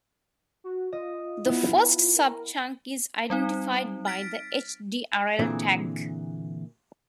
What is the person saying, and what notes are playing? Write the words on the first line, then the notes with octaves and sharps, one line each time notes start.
The first sub-chunk is identified by the "hdrl" tag.
F#4
F4 D#5
B3 E4
A#4
G3 C4 D#4
F6 A6 B6 D7
A#2 D3 E3 C4 G#4